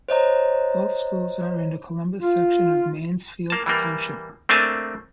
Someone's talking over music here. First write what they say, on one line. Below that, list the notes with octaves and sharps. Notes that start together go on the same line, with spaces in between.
Both schools are in the Columbus section of Mansfield Township.
C5 C#5 D#5 A#5
F4
A#3 A5
E3 G3 A#3
A3 A#3 C4 D4 G#5 A5